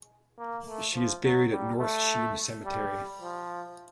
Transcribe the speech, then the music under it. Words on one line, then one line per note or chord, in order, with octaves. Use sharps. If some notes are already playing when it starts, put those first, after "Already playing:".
She is buried at North Sheen Cemetery.
A#3
A3
F3
F#3
G3
A3
G3
F3